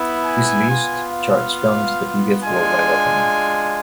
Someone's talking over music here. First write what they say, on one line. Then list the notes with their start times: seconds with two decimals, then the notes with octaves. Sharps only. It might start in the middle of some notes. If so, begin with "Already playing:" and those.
This list charts films the biggest worldwide openings.
Already playing: B3 E4
0.25 G#5
0.69 B3 F4
1.12 F5
2.43 G#3 D4 F4 G#5